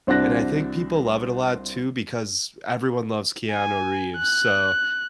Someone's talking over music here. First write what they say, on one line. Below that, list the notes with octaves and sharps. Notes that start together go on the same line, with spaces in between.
And I think people love it a lot, too, because everyone loves Keanu Reeves. So
C2 C4 D4 F#4 F#6 A#6
G#5
F#6